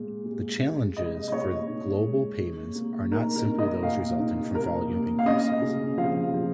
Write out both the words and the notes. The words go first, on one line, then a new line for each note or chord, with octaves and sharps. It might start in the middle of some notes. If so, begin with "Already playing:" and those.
The challenges for global payments are not simply those resulting from volume increases.
Already playing: A#2 G#3
G#3
G#3
G#3 D#5
D#5
A#2 C#5
D#4
G#3
A#3
A#3
D#4 A#4
A#4
D#4
D#5
A#2 F5
D#4
A#3 A#4
A#3
F5
C#4 D#5
C#3
F3 F5
F3